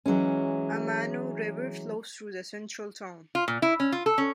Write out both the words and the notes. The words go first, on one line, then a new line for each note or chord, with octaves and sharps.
Amano River flows through the central town.
E3 F#3 G#3 C#4
F4
A#2
E4
C#4
F4
A4
C#4